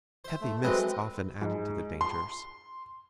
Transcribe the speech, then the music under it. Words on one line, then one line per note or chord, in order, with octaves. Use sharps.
Heavy mists often added to the dangers.
C5 E5
A3
F#2 G#3 A3 C4 B4 D#5
G#2
C6